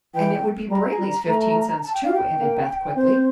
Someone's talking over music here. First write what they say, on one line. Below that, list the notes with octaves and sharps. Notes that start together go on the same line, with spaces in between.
"And it would be Brayley's fifteen cents, too," added Beth, quickly.
E3 G5
G3 A#5
G3
A3
A5
G5
F5
G5
A#3
C4 C5